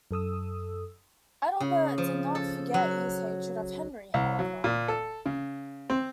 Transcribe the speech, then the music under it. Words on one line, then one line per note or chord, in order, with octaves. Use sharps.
Adalbert did not forget his hatred of Henry, however.
F#2 A4 D#6 E6
C#3
F3
A4
F#3
C2
F#3
A#2
A4
C#3
C4